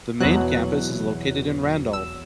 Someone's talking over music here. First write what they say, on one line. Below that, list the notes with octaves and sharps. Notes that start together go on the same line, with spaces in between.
The main campus is located in Randolph.
E2 B2 F#3 F#6
E6